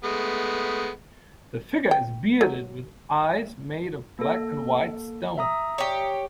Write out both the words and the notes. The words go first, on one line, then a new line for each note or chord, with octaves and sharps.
The figure is bearded with eyes made of black and white stone.
G#3 A3 B3
G5
F#3
A#3 A4
E5 A#5 D#6
G4 C#5